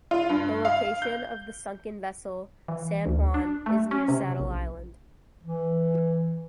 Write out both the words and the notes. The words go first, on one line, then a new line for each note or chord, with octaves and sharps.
The location of the sunken vessel "San Juan" is near Saddle Island.
F4
G2
F5
G6
E3
D2
D4
A3
C#4
C3
A#1
E3